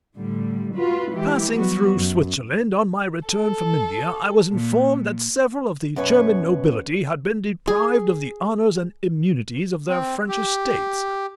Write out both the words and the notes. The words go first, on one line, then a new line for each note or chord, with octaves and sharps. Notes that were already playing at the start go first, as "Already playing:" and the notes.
Passing through Switzerland on my return from India, I was informed that several of the German nobility had been deprived of the honours and immunities of their French estates.
A2 D3 G3
F4 F#4 B4
E3 G#3 G4
F#3 G3 B3 F#4
F#2
A4
A#2
F#2 B2 B4 C#5
G#4
C4
G4